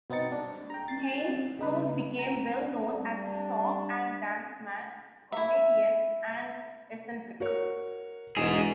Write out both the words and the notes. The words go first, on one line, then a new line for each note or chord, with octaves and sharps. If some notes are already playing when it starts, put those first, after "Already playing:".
Haines soon became well known as a song-and-dance man, comedian, and eccentric.
B2 B3 C4 D#4 A6 C#7
D4
G5 A#5
A6 C7
C#3 D#4 B4
A#5
G3 D4
E4 E5
F#4 A#4 C#5
E1 G#2 G#4